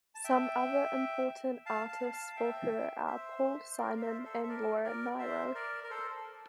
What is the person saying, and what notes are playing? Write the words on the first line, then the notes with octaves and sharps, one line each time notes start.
Some other important artists for her are Paul Simon and Laura Nyro.
A5
E5 G5
F5 A5
F5 A5
F5 A5
A5
E5 G5
C5 E5
C5
A#4 D5
F5
C5 E5
A4 C5
E5
A#4 D5
A#4 D5
C5 E5
A#4 D5
A#4
A4 C5